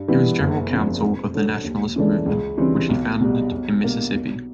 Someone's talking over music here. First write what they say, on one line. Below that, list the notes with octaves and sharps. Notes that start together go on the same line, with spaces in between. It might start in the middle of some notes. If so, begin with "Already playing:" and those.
He was general counsel of the Nationalist Movement, which he founded in Mississippi.
Already playing: G2
E3 G3 B3 E4
F#1
E2 C#3 F3
F2
D3 F#3 A3
D#2
C#3 E3 A3 D4
C#2
C#3 E3 G3 C4
B1
B2 G3
B1
B2 G3 A#3
B1